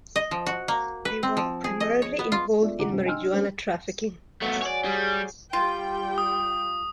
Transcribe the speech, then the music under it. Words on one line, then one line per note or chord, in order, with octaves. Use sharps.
They were primarily involved in marijuana trafficking.
D#5
F3
F#4
A#3
B4
C4
F3
G#4
D#5
C#5
B3
F4
G#3 A3 B3 F4 D5 E5
C#2 G2 D#3 F#5 A#5 D6
C3 G3 G#3 C4 C#4 G4
D#5 G5 G#5 C6 E6 F6
D4
G3 A#3 C#4 D4 G4 C5
F#3 A3 B3
C#5 D5 G#5
G3 G#4
G3 F4 G5
D#6